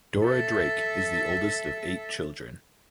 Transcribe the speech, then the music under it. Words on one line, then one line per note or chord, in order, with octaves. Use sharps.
Dora Drake is the oldest of eight children.
A4 E5